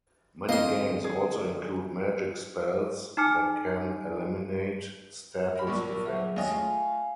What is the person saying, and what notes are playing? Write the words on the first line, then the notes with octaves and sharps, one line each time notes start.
Many games also include magic spells that can eliminate status effects.
F2 D3 D#5 F5 C6
G#4
D#4 G#5 A5 D6 F6 C#7
A#4 B5
B1 G2 A#2 A#4 C#6
F#3 G#4 E5
D#2 C#4 D#5 F5 G#5
A3 F4